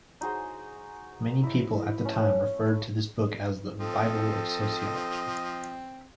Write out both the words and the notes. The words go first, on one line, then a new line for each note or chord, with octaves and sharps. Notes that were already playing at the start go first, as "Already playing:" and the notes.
Many people at the time referred to this book as the "Bible of Sociology".
D#4 F#4 G#4 C5
E4 D#5
A3 C#4
F3 C4 A4 D#5